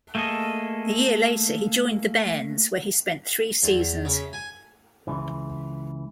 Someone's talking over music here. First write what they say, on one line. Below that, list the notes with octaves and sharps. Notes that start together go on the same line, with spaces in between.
A year later he joined the "Bairns", where he spent three seasons.
A3 A#3 G#4 A4 D#5
E2
C#3
G#5
C#2 E3